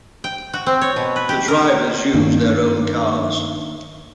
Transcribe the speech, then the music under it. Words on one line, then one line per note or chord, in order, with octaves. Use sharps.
The drivers use their own cars.
G5
F#4
C4
C#5
B2
B4
G4
A#4
G2 D#3 A#3 D4